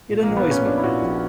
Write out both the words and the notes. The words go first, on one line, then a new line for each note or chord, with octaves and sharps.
It annoys me a bit.
A#2
A#3
A#1
B3
A#1
C#4
A#2 D4
E4
A#2 F#4
A#1